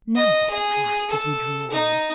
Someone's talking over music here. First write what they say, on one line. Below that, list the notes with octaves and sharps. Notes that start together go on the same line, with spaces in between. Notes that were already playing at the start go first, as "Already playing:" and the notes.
"Now what?" I asked, as we drew away.
D#5
G#4
A4
D#4